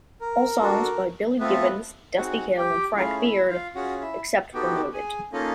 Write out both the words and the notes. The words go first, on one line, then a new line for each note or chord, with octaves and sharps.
All songs by Billy Gibbons, Dusty Hill and Frank Beard, except where noted.
A#4
D4 F#4 A4
A3 B3 C4 F4 A4 B4
C4 D#4 F#4 G#4 F#5
G4 G5
A3 C#4 E4 F4 G#4 F5
E4 E5
F4 F5
C#4 F4 F#4 G#4 F#5
E4 E5
B3 D#4 F#4 G4 A4 G5
G#4 G#5
A#3 C#4 D#4 F4 A4 D#5